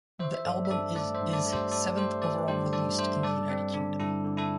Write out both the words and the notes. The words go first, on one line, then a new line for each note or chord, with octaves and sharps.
The album is his seventh overall released in the United Kingdom.
E3 C5 E5
E5
G2 A4 D5
E5
G2 A4 D5
A3 A4 D5
C5 E5
G2
A4 D5
A3
G4 C5
A3 A4 D5
A3 G4 C5
E3 A4 D5
G2 G4 C5
G2 A4 D5
G2 C5 E5
G3 A4 D5
G3 C4
D3 D4
G2 E4 A4
D3
E4 A4